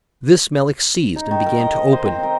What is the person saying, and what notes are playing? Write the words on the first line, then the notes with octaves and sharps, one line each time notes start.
This Melick seized and began to open.
D#4
D#3
A#4
D#5
D#5
C5
C4
A#4